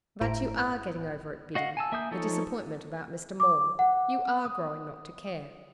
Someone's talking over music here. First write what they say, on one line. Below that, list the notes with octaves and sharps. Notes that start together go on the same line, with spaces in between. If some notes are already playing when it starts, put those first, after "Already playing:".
'But you ARE getting over it, Biddy--the disappointment about Mr Maule? You ARE growing not to care?'
G1 A2 E4 C5 A#5 D7
F#4 D#5 F5 F#5
G#5 A5 E6
A#3 E5 G#5 D#6 G6
F3 D#4 A4 C#5
D6
F#5
D#6